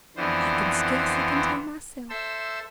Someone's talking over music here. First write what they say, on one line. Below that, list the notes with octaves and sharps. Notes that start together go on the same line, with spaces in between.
I can scarcely contain myself!
F2 D3 E3 B3 C5
A4 C5 E5 E6